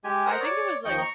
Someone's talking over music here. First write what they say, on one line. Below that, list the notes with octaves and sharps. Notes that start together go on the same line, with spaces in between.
I think it was like
G#3 G4 G#5
A#4 C5 F#5 A#5 D#6
C#5 D5
D#2 F3 D#5 G5 C#6
A#5 C#6